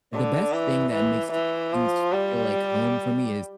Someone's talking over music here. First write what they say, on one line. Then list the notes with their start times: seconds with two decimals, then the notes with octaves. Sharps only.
the best thing that makes things feel like home for me is
0.13 D3
0.53 E3
0.93 E3
1.32 E3
1.73 F3
2.13 G3